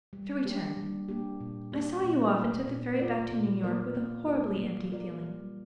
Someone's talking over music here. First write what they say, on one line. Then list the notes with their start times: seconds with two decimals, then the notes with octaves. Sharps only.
To return: I saw you off, and took the ferry back to New York with a horribly empty feeling.
0.13 G3
0.45 A#3 D4 G4
0.77 G3
1.08 A#3 D4 G4
1.40 A#2
1.72 A#3 G4 D5
2.04 A#2
2.36 A#3 G4 D5
2.67 A#2
2.99 A#3 F4 A#4 D5
3.32 A#2
3.63 A#3 F4 A#4 D5
3.95 A#3
4.26 F4 A#4 D5
4.58 A#3
4.90 F4 A#4 D5
5.21 G3